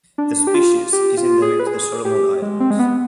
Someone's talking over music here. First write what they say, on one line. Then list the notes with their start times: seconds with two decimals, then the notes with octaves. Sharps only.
The species is endemic to the Solomon Islands.
0.18 D4
0.47 G4
0.54 F4
0.93 G4
1.17 F4
1.42 G#4
1.60 B4
1.67 G#4
2.05 G4
2.42 G#3
2.60 C4
2.71 G#3
2.79 B3